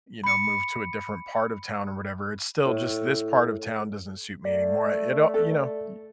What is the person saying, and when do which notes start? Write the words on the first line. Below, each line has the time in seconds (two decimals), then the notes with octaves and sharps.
you know, move to a different part of town or whatever. It's still just this part of town doesn't suit me anymore. I you don't you know, y
0.24 B5 C#7
2.66 A2
4.45 A3 D5
5.34 A4